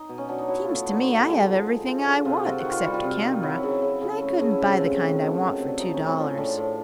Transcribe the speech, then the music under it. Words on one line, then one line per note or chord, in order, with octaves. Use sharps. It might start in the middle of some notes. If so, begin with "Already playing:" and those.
"Seems to me I have everything I want except a camera, and I couldn't buy the kind I want for two dollars."
Already playing: D#4
B2
C#4
F#3 D4
D#4
F#3 E4
F4
A3
E4
B2 D4 D#4
D3
G#3
F3
G#3
F3
D3
C3 F4
F#4
C3 F4
D#3 F#4
F4
G3 F#4
F4
C3
D#3
F#3 E4
C#3
C#3
C#3
A3
C#3
E4
C3 F4
A3
D#3
F#3
D#3
C3
D4
F3 D#4
A2 C#4
C4 C#4
F3
C#4
A2 D4
A2